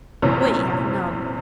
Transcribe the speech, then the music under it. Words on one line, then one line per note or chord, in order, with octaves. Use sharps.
We have none.
F1 A#1 F#2 C3 E3 C#5